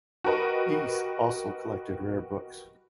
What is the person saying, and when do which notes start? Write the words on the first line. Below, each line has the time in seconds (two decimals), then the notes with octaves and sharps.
Deese also collected rare books.
0.24 F#4 G4 A#4 B4 D#5